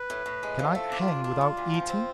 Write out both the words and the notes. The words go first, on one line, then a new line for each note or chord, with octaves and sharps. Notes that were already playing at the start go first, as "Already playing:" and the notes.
Can I hang without eating?
Already playing: B4
A2
A2
G#3
F3
A3 A4
D4
F4
D2
D4
D4
D2
F3
C4